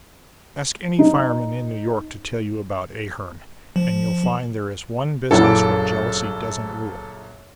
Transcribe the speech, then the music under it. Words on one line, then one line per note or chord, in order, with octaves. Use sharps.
Ask any fireman in New York to tell you about Ahearn, and you'll find there is one business where jealousy doesn't rule.
D#4
F3
A#1 F#2 C#3 E4 A4 A#4 F#5
D6